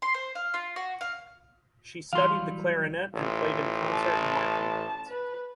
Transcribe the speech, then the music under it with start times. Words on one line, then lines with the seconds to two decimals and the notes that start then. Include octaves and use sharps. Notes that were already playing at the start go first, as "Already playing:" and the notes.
She studied the clarinet and played in concert and marching bands.
0.02 C6
0.14 C5
0.35 F5
0.54 F4
0.76 F#4
1.01 F5
2.13 E3 F#3 G3 F5 C6
3.14 A1 F4
3.91 A5
5.09 B4